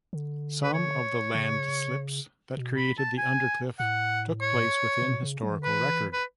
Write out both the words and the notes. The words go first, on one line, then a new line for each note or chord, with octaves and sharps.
Some of the landslips that created the Undercliff took place within historical record.
D3
B4
C#5
C#3
B2
B5
A5
G#5
A2 F#5
C#5
B2
C#3
F#3
E3
D3
E3 B4
B4